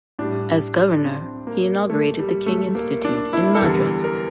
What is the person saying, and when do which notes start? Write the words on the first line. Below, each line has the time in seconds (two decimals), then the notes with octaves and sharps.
As governor, he inaugurated the King Institute in Madras.
0.19 A2 G3 D4
0.97 D4
1.04 C4
1.47 A#3
1.90 A3
2.19 G3
2.46 A3
2.75 A#3
3.05 D4
3.33 E4
3.55 A4
3.60 E2 D3 G3 A#4
4.04 A#4